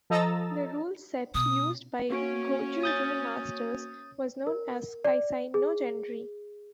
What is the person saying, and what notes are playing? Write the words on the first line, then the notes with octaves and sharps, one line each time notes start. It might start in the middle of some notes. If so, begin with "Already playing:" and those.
The rule set used by Gōjū-ryū masters was known as Kaisai no genri.
F3 A4 D#5 A#5 E6 A6
B2 D#6
A#3 C#4 F#4 D7
D#6 G6 A6
A#4
D5
G#4